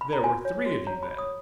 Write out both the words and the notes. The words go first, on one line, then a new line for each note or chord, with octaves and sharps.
"There were three of you, then."
B5
A#5
F#4 G#5
C#5
F#4
C#5 A#5
B5
C#5
D#6